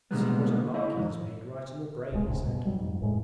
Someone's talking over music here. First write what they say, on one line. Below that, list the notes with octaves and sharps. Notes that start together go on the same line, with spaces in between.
'See what a mark he has made right in the brain,' he said.
B2 D3 G3 G#3 A#3 B3
E4 D#5
F2 G#2 D#3
D1 B1 B2 G#3
D1 A#1 C#3
G2 B2
G2 F#3 G3
F2 G#2
F1 A2 G#3